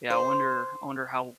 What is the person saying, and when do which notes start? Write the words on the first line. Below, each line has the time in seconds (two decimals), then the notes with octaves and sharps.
Yeah, I wonder I wonder how
0.10 C5